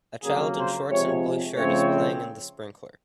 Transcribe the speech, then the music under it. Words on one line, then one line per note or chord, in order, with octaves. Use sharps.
A child in shorts and blue shirt is playing in the sprinkler.
F2 C#3 F#3 A#3 G#4
C5
C3 F3 G#3 C#5
C#3 F3 A3 C4 C#5